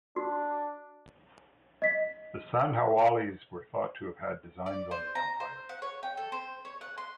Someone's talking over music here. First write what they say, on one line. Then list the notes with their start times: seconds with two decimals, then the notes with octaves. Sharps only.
The Sandhawalias were thought to have also had designs on the empire.
0.16 D4 F#4
1.82 D#5 B6
4.66 D5
4.91 C5
5.15 A#5
5.40 C5
5.69 F#5
5.82 C#5
6.03 G5
6.17 A4
6.32 C5
6.65 C#5
6.81 F#5
6.98 C6